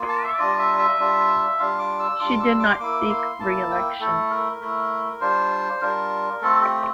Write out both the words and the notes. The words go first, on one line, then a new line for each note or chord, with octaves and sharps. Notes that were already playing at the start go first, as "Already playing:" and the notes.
She did not seek re-election.
Already playing: A#3 F4
A5
E5
G3 D4 F4 D5
E5
E5
G3 D4 F4
G3 D4 F4 F5
D6
E6
G3 D4 F4 D6
E6
D6
C6
A#3 E4 D6
C6
A#3 E4 A5
G5
A3 E4 A4
A#4
A3 E4
G3 D4 F4 C5
G3 D4 F4 A#4
A3 C4 F4 A4
G4